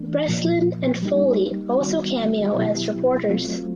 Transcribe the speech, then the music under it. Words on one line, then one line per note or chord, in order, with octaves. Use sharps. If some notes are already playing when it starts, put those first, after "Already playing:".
Breslin and Foley also cameo as reporters.
Already playing: E3 A3 D4
A#2 F3 A#3
G3 A#3 D#4 G4
D#3 G3 B3 D#4 F#4
B2 F#3 B3 E4 G4
F#3 A3 C4 F4